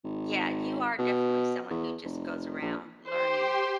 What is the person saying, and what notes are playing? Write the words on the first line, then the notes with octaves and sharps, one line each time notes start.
yeah, you are definitely someone who just goes around learning
G#1
B2
E2
F1
A#1
G4 C5 G5 C6